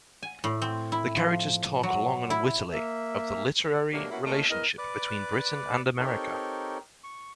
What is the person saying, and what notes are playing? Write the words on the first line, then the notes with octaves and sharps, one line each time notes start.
The characters talk long and wittily of the literary relationship between Britain and America.
G#5
A2
C4
E4
F3
F#3
E4
A#3 E5
B2 F#3 A3 A#3 D4 G4
A#3 B3 C#4 E4 F#4
A3 A#3 C#4 F4 A#4 D#5
E2 A#4 D#5
B4 D5 D6 F#6
C4 D#4 G4 A4 A#4 C#5
C#6